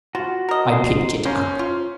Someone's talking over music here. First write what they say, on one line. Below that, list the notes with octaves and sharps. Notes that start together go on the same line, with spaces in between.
I picked it up.
F4 F#4
A#4 D#5
C5 C6
A#3 C#4 C5
F4